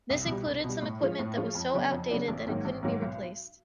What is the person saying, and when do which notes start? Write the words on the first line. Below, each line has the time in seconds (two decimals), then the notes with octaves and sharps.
This included some equipment that was so outdated that it couldn't be replaced.
0.10 C2
0.27 B2 G3
0.45 C2
0.64 B2
0.69 G3
0.82 A2
1.00 F3 G#3 C#4 F4
1.19 A2
1.37 F3 G#3 C#4 F4
1.55 F2
1.74 C#3 F#3 B3 D4
1.92 F2
2.11 C#3 F#3 B3 D4
2.28 A1
2.46 G#2 D#3 F#3 A#3
2.65 A1
2.83 G#2 D#3 F#3 A#3
3.02 B1